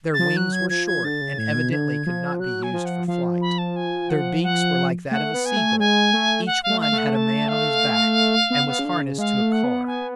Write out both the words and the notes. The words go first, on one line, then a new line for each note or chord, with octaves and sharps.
Their wings were short, and evidently could not be used for flight; their beaks were like that of a sea-gull; each one had a man on his back, and was harnessed to a car.
A6
F3
F#3 F#6
G#6
F3 G#6
G#6
D3 A6
C#3
A2 G#6
B2
D3 G#6
F3
F#3 F#6
G#5
F3
F#5
F3 F5
B5
A5
G#5
F#5
F#5
A3 F#5
B3
G#5
A3
G#3 G#5
A3
F#5
F5
A3
F5
A3
F#5
A5
F5
B3
B3
C#3
D3
C#3
G#3 F5
A3
F#5
B3
G#5